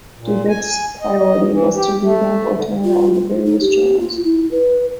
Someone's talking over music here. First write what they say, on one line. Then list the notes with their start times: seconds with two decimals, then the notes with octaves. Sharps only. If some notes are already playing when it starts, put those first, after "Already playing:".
Dubic's priority was to revamp or turn around the various channels.
0.18 A#2
0.49 G#5
1.01 D#5
1.50 E3
1.75 G4
2.03 A3
2.55 D3
2.84 F4
3.14 F4
3.46 D#4
3.61 G4
3.99 F4
4.24 E4
4.52 B4